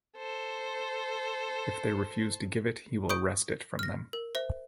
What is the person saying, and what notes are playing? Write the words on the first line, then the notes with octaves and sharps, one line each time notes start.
If they refuse to give it, he will wrest it from them.
A4 C5
C#6 D#6 G6 D7
F6 A#6
A#4
C5 E5